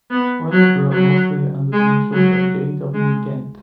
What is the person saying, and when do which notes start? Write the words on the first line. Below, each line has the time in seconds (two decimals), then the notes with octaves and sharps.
Worlidge wrote mostly under the initials of J. W., Gent.
0.11 B3
0.52 F#3
0.91 F#3
1.72 G#3
2.13 F#3
2.94 G#3